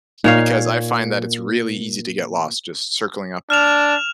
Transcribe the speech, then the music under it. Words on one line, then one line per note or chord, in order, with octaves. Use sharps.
because I find that it's really easy to get lost just circling up
A#2 A#3 D#4 C#5 F5
D4 F6 E7 F7